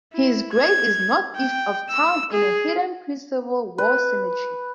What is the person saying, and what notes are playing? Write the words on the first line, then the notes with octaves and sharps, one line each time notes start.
His grave is northeast of town in a hidden pre-Civil War cemetery.
E4
G#6
G5
E6
G#4
B4